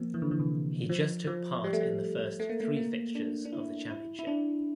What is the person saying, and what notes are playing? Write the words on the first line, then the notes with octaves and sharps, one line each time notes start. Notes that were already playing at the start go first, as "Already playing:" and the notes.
He just took part in the first three fixtures of the championship.
Already playing: F3 A#3 C4
E3
D3
E3
C3
F3
F3
G3
A3
G3
A3
A#3
A3
A#3
D4
D4
E4
E4
E4
D4